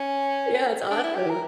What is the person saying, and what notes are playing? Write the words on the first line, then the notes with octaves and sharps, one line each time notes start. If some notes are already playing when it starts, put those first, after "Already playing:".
Yeah, it's awesome.
Already playing: C#4
D4
E4
G4
A#4